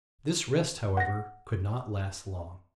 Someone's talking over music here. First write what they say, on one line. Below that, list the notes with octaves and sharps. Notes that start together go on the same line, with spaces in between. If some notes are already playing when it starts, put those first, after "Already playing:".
This rest, however, could not last long.
F#5 A#6